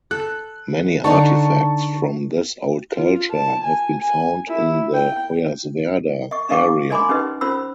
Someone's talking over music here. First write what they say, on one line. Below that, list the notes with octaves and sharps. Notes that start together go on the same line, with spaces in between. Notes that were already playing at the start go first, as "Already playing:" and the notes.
Many artifacts from this old culture have been found in the Hoyerswerda area.
A4 F#6
D3 D#4 A5 C6 C#6
F4
A5
G#5
G#5
E4
G5
D#5 C#6
D4 D#5 F5 G5 C#6 D6
D5 D#5 G#5 B5 C6 D6
C#4 D#4 G4 B4 D#5
C#4 F4 C5 B5 E6